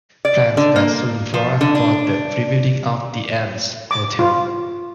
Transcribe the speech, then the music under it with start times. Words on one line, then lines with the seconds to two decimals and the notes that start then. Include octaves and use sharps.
Plans were soon drawn up for the rebuilding of the Elms Hotel.
0.25 D5
0.57 D3
0.76 A#3
1.34 F3
1.61 D3
1.75 D4
3.91 D6
4.19 F4